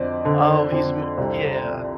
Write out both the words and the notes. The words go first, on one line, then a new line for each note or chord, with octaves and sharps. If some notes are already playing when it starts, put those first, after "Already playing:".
Oh, he's m yeah.
Already playing: F2 D3 C5 D5 D#5
D3
F2
C2